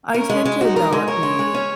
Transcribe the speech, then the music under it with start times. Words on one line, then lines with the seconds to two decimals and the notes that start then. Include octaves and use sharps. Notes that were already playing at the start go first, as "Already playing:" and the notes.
I tend to not be
0.14 C#4 A#4
0.30 G#3
0.45 G#3
0.61 D#4 F#4
0.76 A#4
0.92 G#3
1.08 A#4 C#5
1.23 G#3
1.39 G#3
1.55 C#4